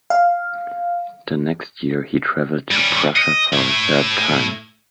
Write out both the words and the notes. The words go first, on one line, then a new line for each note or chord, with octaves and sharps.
The next year he travelled to Prussia for a third time.
F5
G3 C#4
D#5
A3 E4